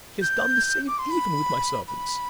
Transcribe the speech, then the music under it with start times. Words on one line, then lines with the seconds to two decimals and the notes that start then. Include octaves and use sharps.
She has done the same even with my servants.
0.22 G6
0.88 D6
0.99 C6
1.11 B5
1.88 B5